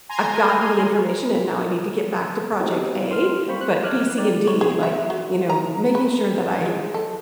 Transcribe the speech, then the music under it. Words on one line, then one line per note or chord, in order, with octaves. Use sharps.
I've gotten the information and now I need to get back to project A, but B, C, and D, like, you know, making sure that I
G#5 A#5 C6 G#6
B3 C4 D#4 E4 F#4 G4
C6 F6
G3 A#3 C4 C5 B5 C#6
F#6
D6 F6 F#6 G#6
D#4 G4 D5
C#5
G#4
E5
F#3
A#5
B4
G#3
A4